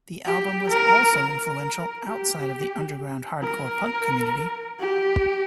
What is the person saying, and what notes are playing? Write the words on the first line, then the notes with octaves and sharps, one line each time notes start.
The album was also influential outside of the underground hardcore punk community.
G4
A#4
A#4
G4
A#4
G4